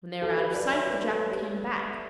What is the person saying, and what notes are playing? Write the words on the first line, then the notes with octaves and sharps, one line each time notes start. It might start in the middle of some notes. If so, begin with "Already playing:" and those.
When they were out of sight the jackal came back.
F#4 A4
G4 B4
B4 D5
C#5 E5
B4 D5
A4 C#5
G4 B4